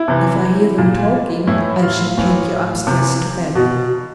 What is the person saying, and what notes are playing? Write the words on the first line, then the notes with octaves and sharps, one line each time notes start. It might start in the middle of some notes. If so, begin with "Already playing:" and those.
"If I hear them talking I shall take you upstairs to bed."
Already playing: E4
C3 E3
A#2
A2 E3 E4
F4
A2 E3
C3 E3
B2